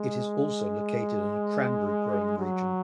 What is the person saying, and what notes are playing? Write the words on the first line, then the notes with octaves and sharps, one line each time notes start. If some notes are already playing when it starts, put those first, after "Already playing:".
It is also located in a cranberry growing region.
Already playing: G#3
F#3